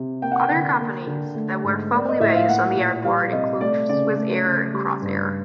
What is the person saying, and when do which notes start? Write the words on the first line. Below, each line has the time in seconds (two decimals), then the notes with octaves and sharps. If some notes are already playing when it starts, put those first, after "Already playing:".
Other companies that were formerly based on the airport include Swissair and Crossair.
Already playing: C3
0.22 A#3 G5
0.32 F#5
0.40 G5
0.51 D3
0.79 A#3
1.07 D3
1.35 A3
1.64 G#2
1.92 A#3 D5
2.09 D#5
2.20 A2 E5
2.35 F5
2.49 A#3 F#5
2.76 A#2
3.05 G3 F5
3.32 C3 D#5
3.61 A3 D5
3.89 C#3 D5
4.17 A3
4.46 C#3
4.74 G3
5.02 G2